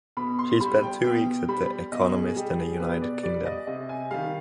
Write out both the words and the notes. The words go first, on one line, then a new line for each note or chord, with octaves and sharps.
She spent two weeks at The Economist in the United Kingdom.
B2 B5
C6
G3 B5
G5
B2 G5
G3 B5
B2 D#5
G#4
G3 G4
G#4
B2 B4
D5
G3 D5
D#5
C3 D#5
G#5
D#3 G3 F5